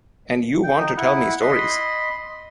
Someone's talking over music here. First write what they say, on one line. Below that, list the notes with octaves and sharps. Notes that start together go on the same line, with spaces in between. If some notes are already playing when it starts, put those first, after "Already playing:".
And you want me to tell stories!
G5
D#4
E4 F#5
D#5 B5 C6